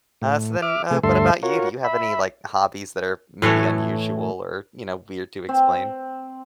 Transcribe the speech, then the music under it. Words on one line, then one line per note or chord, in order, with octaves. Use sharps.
Uh, so then, uh, what about you? Do you have any, like, hobbies that are maybe unusual or, you know, weird to explain?
A2
E5 D6 F6
C3 A3 G#4
D2 G2 A3 A4 E5 C6
F4 F#4 A#4 C#5
E5 B5
A2 E3 A3 C#5
C4